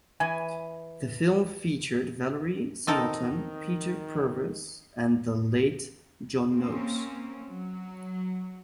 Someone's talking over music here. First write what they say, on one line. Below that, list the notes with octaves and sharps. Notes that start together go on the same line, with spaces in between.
The film featured Valerie Singleton, Peter Purves and the late John Noakes.
E3 G#5
D#3 C4 D#4 A4 A#4
A#3 C4 C#4
F#3